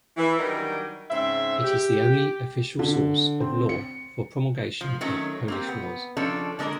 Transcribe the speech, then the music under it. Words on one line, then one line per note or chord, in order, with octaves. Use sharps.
It is the only official source of law for promulgation of Polish laws.
E3 E4
D#3 F#3 G3 D4 D#4 A#4
G#2 C#3 C4 E5
G4
D3
C4
C#7
F3
D#3 F#3 A3 C#4
A#3 C4 G4
B3
F3 C#4 D4 A4
D3 G#3 A#3 A#4